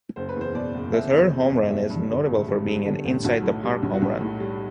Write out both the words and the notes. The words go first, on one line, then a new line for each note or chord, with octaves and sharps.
The third home run is notable for being an inside-the-park home run.
F#1 C5
B4
E2 C5
B2 D5
F#1
F#1 E5
E2
B2
F#1
G3 E5
G2
D3
A1
G3
G2
D3
A1
B1 F#4
A2
G3
B1
F#4
B1 G4
A2
G3